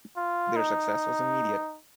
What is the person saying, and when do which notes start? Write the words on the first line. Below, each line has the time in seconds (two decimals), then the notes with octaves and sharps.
Their success was immediate.
0.17 F4
0.57 D#4